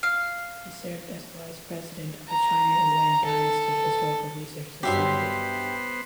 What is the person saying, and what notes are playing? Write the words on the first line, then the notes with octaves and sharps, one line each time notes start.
He served as Vice President of the China Yuan Dynasty Historical Research Society.
F5
A#5
A4
G2 F#3 B3 G4 C5 E5 C6